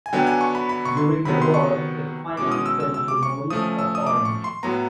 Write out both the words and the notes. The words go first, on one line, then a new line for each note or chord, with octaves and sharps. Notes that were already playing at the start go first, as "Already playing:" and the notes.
During the war it finally fell to Maurice of Orange.
G#5
D3 F#3 B3 D4 G5
G#5
C#6
B5
B5
C#6
C6
C3 D#3 F#3 B3 B5
C6
C#6
B2 G#3 C#4 D6
D#6
E6
E6
E6
D6
C#6
F3 A3 C#4 D#6
E6
D#6
D6
C#6
C6
A2 F#3 B3 A#5